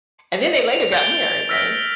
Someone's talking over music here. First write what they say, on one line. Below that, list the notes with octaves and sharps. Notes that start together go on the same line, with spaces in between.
And then they later got married, right?
F7
G6 A6 D7 G7
E6 F6 A#6 B6 D7